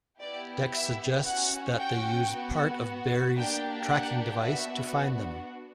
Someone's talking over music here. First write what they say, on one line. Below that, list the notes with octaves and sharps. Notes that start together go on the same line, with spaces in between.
Dex suggests that they use part of Beary's tracking device to find them.
B3 E4 G4 D5
E5
C#4 F#4 F#5
G5
B3 F#4
A#3 D4 G4 G5
F#5
B3 D4 F#4 E5